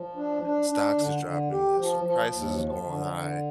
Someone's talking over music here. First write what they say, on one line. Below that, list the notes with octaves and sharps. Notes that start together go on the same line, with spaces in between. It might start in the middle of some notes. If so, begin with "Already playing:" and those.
"Stocks is dropping this," or "Prices is going high."
Already playing: F3
D4
D4
D4
D3
D3
G4
F3
F3
D#2
F3
D3
D3